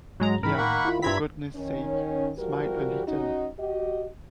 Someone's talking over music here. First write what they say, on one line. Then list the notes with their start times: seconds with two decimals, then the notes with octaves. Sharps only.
Liah, for goodness sake smile a little.
0.20 G#2 F#3 G#3 A#5
0.43 G#2 D#3 E3 A#4 B5
0.58 A2 A#3 F#5 C#6
0.85 E4 F4
1.02 G2 C4 E5 A#5 B5 G#6 B6
1.56 D#3 C#4 C#5
2.39 E3 F3 G3 F#4 G4 A#4
3.07 C#4 D#4 F#4
3.59 F#4 G4 D#5